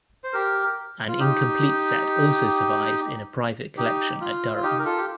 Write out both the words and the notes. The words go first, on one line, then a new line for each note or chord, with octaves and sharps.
An incomplete set also survives in a private collection at Durham.
C5
G4 A#4
F4
D#4 G4
D#4 G4
F4
F4
D#4 G4
A#4
F4 A4
G4